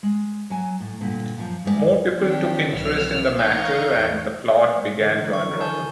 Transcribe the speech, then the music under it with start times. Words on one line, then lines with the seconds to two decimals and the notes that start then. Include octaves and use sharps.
More people took interest in the matter and the plot began to unravel.
0.03 G#3
0.50 F#3 G#5
0.80 A2
1.01 G2 A#2 D3
1.38 F#2 F3
1.64 G2 G#3 A#4 D5
2.18 D#3 F#3 C4 D4 G4 G5
2.72 C2 B2 E3 F#3 E6 F6
3.39 E3 D#4 A#4 D#5 F5 C#6 G6
3.93 E2
5.01 D3 E3 A#4
5.33 C#6
5.60 G#5 A5 G6